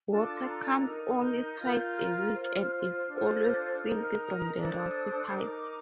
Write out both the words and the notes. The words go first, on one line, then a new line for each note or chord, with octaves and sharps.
Water comes only twice a week and is always filthy from the rusty pipes.
D4 F4 A4 A5
D6
C6
A#5
A#5
D#4 A#4
G6
F4 A#4
F6
F4 C5
F6
D4 F4 A4 C5
G6
F6
F6
D#4 A#4 G6
F6
D#6
D4 A4 C5
D#4 A#4 D6